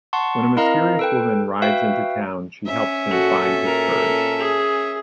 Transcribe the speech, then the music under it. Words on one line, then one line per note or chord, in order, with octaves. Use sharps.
When a mysterious woman rides into town, she helps him find his courage.
F#5 A5 C6 C#6
C4 E4 A#4 D#5 F5 A#5
A4 B4 G5
F#4 B4 E5 F5 G5
C#4 E5
A#2 F#4 A4
A#4
G#4